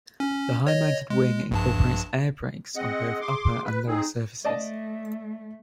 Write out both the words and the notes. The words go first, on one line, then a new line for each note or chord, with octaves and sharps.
The high-mounted wing incorporates air brakes on both upper and lower surfaces.
C#4
C#5 D#5
G#3
A#1 G2 A5
C4 G#4 D#5 F#5
C6 D6
B4
C4 D#4 G#4
A3 D5 D#5 A5